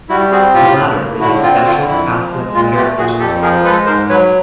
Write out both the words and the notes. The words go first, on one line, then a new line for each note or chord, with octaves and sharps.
The latter is a special catholic character school.
G3 E4 F#4
C4 F#4 G#4
A2 F4 G4
A#3
A2
D3 E4 F#4
C4 F4
F#4
D3 F4
F2 E4
F3
G#3
A#2 F4
A3 F4 G4
A#2 F#4 G#4
F2 G4 A4
F3 G#4 A#4
G#3 A4 B4
G#2 A#4 C5
F#3 B4 C#5